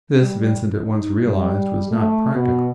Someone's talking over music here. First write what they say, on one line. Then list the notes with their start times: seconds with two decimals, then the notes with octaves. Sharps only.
This, Vincent at once realized, was not practical.
0.21 G3
0.84 D#4
1.26 G3
1.91 A3
2.34 B2